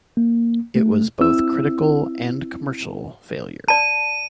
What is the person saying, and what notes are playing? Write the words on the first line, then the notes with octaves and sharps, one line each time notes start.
It was both critical and commercial failure.
A#3
A3
C4 E4 E6
D5 A5 D#7